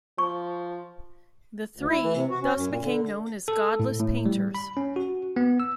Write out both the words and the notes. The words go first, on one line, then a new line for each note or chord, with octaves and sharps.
The three thus became known as "godless painters".
F3 C#6
D2
E4
E3
C3
F#4
C#4
F#2
A#2
D3
A4
A2
A2
G3
B5
C#4
F#4
B3
E6